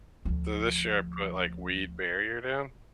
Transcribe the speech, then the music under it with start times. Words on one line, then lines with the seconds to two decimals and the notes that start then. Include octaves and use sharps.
So this year I put, like, weed barrier down
0.25 D2 F3